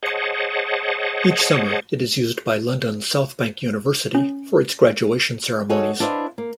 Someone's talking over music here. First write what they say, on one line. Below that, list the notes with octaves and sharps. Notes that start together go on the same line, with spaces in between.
Each summer it is used by London South Bank University for its graduation ceremonies.
G#4 C5 C#5 D#5 F#5 A5
C#4
D#4 F#4 G#4 A4 C#5
D4 E4 B4 C5 D#5 F5
A#3